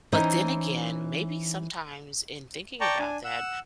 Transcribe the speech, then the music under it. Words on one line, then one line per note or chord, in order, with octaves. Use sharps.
but then again, maybe sometimes in thinking about that,
E3 C#4 D#4 C5
D5 G5 A5 A#5 C#6
D4 G#5
F#5 E6